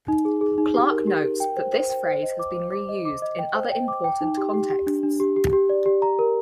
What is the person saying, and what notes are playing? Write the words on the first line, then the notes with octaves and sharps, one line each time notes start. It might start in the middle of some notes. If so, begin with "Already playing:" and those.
Clarke notes that this phrase has been reused in other important contexts.
D#4
G#4
G#4
D#4
G4
A#4
G4
A#4
G5
C5
C5
G5
C5
D#5
D6
C5
D6
D#5
D6
D#5
G5
C5
G5
D6
G5
D#4
G4
G4
G4
D4
D4
G4
G4
G4
D5
G4
A#5
A#4